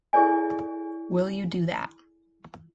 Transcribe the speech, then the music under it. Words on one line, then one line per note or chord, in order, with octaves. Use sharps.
Will you do that?
E4 G#4 A4 C#5 D5 G#5